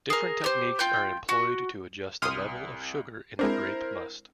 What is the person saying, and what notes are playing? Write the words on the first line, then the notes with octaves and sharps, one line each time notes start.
Different techniques are employed to adjust the level of sugar in the grape must.
G#4 A#4
G4 C5
F4 G5 G6
F#4
C2 C6 D#6 F6
G#3 C4 D4 E4 A#4 C5